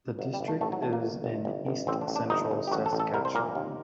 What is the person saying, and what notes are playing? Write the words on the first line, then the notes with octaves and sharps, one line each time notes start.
The district is in east-central Saskatchewan.
G1 F#3
G3
G1
A3
A1 A3
F#3
A1 A3
A#3
G1
G1
G1
G1
A1 C4
D4
A1
D4
G1 D#4
G1
G4
A1 F#4
A4
A1
A4
C2 A#4
C5
A#2 A#4
D#2